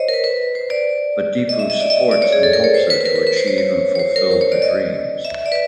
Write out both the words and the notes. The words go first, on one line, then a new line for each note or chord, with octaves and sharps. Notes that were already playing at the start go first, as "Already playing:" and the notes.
But Dipu supports and helps her to achieve and fulfill the dreams.
Already playing: C5 C#5 D#5
A#4
B4
B4
C5
D5
D#5
E5
D#5
D5
D#5
D5
C#5
G#4
A4
A#4
C#5
C5
B4
B4
A#4
A#4
B4
C5
C#5
C#5
C#5
C5
A#4
C5
C#5
D5
D#5
E5
D5
B4